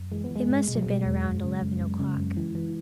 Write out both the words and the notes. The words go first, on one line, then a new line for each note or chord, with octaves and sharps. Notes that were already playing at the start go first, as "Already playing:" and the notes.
It must have been around eleven o'clock.
Already playing: F#2
E3 G#3
B3
E3 G#3
G#2
B2 G#3
F#3
B2 G#3
E2
F#2
C#3
F#2
F#2
C#3
F#2
E3
E3